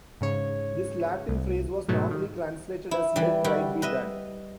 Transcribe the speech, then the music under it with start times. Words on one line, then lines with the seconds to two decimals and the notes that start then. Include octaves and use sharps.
This Latin phrase was normally translated as "Let right be done".
0.21 G#2 C#3 C#5
1.28 C2
1.88 G#2 B2 F#3 A3
2.11 D#3
2.91 E4
3.16 E3 G3
3.44 G3 E4 F#4
3.82 B4 D#5 E5